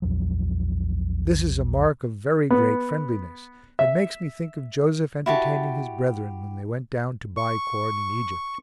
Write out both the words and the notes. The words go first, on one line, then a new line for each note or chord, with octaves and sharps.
This is a mark of very great friendliness and makes me think of Joseph entertaining his brethren when they went down to buy corn in Egypt.
A#1 E2 F3 F#3
B3
E5
E4 F#4 G4 A5
C#6